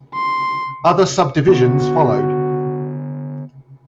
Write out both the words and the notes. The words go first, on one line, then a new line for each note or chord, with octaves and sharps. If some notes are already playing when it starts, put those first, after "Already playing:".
Other subdivisions followed.
C6
D3 B3 F#4